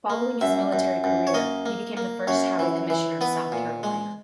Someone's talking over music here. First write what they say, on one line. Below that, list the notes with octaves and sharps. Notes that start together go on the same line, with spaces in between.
Following his military career he became the first Highway Commissioner of South Carolina.
A#3
F#2 E5
F#2
F#2
C#5
A#3 D#5
A#3
A#3
F#2 C#5
E3
E3
B3 B4
A#2
G#3